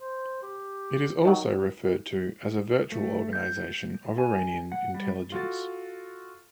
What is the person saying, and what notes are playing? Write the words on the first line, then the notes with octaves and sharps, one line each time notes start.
It is also referred to as a 'virtual organization' of Iranian intelligence.
C5
G4
D#3 F#3
A3
G6
G#5
F#5
G3
F4 F#4 A4 A6